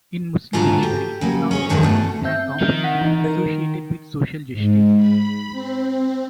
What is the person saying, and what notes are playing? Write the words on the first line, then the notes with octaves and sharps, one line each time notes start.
In Muslim history, Islamic governance has often been associated with social justice.
G#2 D3 F4 F#4 A5 A#5
G4
C#3 F#3 A#3
C#4 G#4 C#5
E2 G2 D#3 F#3 G#3 D4
B2 A3
C4 E5 G6
D#3
F#5 B6
E3 D#4
A#4
G#2
B5
C4